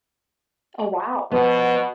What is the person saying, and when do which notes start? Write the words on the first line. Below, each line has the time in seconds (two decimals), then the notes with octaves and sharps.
Oh, wow.
1.31 B2 F3 B3